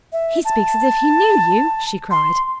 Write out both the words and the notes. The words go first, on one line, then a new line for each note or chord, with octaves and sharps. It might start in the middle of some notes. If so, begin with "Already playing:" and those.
"He speaks as if he knew you!" she cried.
E5
A5
C6